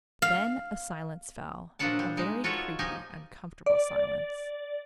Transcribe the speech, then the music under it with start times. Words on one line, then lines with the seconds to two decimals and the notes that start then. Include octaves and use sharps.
Then a silence fell . . . a very creepy, uncomfortable silence.
0.22 F5
1.79 A#2 F3 F#3 D4 F#5 A5
1.99 G3
2.17 G#3 D#4
2.44 F4 F#4 A4 B4 C#5
2.79 F3 D#4 G4 D#5 G#5
3.66 D5